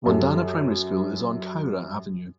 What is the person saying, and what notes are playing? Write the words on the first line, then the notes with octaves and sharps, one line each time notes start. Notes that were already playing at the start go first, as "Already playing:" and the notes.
Wandana Primary School is on Cowra Avenue.
F#2 G4 A4